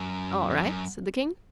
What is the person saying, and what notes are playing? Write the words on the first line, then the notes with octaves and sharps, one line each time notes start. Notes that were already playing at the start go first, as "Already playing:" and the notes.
"All right," said the King.
Already playing: F#2
F2
F#2